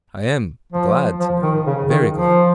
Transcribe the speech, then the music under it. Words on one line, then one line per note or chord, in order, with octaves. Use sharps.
I am glad to know, very glad.
F3
F3
D#3
C#3
D#3
F3